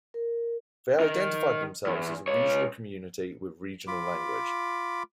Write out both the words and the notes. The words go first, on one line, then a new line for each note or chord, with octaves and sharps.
They identified themselves as a regional community with regional language.
A#4
D#3 D#4
E2
C#2 C#5
F4 B5 D6